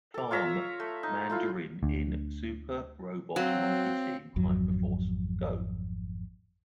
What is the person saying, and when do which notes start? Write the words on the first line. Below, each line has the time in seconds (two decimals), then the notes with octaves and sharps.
Farm", Mandarin in "Super Robot Monkey Team Hyperforce Go!
0.14 A4 D6
0.31 F4 C#5 E5 A#5
0.80 A3
1.03 D#4
1.29 A3 E4 F4
1.83 D2
3.36 F#3 C4 F#4 C#5 F5
4.36 G#1 F2 F#3